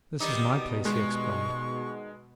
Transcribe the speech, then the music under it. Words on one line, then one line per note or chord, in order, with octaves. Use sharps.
"This is my place," he explained.
B2 D#3 G3 D#4 D6
G#3 C#6